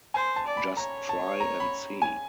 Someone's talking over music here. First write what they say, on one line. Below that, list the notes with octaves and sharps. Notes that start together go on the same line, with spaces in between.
Just try and see.
C5 G#5
A5
D5
B5
C#5 A#5
A5
A#5
B5
G#5